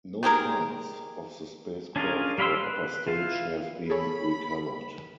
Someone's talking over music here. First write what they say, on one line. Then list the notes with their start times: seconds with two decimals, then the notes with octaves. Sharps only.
No parts of the spacecraft or upper stage have been recovered.
0.23 D#3 G4 G#4 A#4
1.96 C#4 D4 F4 G#4 A#4
2.38 G3 F5 B5 C6 E6
2.61 B4
3.07 E3 F4 F5
3.90 G#4 A4 C#5 B5